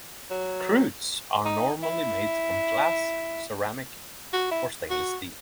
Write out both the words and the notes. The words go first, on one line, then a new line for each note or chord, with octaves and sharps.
Cruets are normally made from glass, ceramic, or stainless steel.
F#3
D#4
E4
F#4
E4
F#4